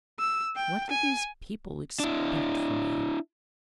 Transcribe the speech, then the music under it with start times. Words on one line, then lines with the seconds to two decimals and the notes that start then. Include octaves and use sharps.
What did these people expect from him.
0.20 E6
0.56 G5
0.90 G#5
2.00 D4 E4